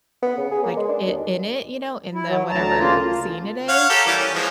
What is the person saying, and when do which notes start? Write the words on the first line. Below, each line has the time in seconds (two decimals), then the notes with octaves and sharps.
like, it in it, you know, in the whatever scene it is,
0.22 B3
0.37 C#3
0.51 G#4
0.64 A#3
0.76 G#3
0.88 D4
1.07 D#2
2.15 E4
2.28 F#3
2.50 D2 A5 A#5
2.79 C#3 A#3 F4
3.69 C#5 F5 F#5
3.90 G4 A4 A#4
4.07 E3 G3 D6
4.18 C#4
4.35 E3 F3 G#3